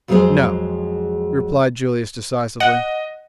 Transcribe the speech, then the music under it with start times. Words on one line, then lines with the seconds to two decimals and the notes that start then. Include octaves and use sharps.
"No," replied Julius decisively.
0.08 F2 F#3 G#3 F4 G#4 C5
2.60 D#5 F#5